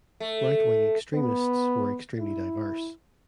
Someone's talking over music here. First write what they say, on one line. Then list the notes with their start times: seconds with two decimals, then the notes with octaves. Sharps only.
Right-wing extremists were extremely diverse.
0.20 A3
1.14 B3
2.19 E4